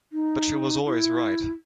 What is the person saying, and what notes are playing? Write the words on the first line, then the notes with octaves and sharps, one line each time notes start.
But she was always right.
D#4
E4